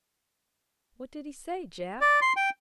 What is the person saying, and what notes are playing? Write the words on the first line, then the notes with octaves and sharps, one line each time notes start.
"What did he say, Jap?"
D5
C6
G5